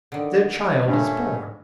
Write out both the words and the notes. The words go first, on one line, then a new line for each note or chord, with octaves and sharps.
Their child is born.
D3 D#3
G2 A#2 A3 C#4